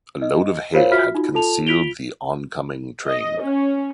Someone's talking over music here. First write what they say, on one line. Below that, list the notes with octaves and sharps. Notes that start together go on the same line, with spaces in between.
A load of hay had concealed the oncoming train.
D#5
F4 A#4 C5 C#5 F5
F4 F#4 E5 F6 B6
D#4 F4 F#4
F4 A4 A5 F7
F4 B6 D7 F7 G7
D#5
C#4